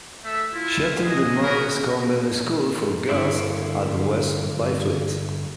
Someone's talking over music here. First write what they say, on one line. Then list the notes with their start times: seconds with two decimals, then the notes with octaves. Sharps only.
She attended the Marist Convent School for Girls at West Byfleet.
0.25 A3 E5
0.53 E4 F4
1.03 F#4 G#4 D#5
1.43 F#4 A#4 B4 D#5
3.09 G2 D3 A#3 E4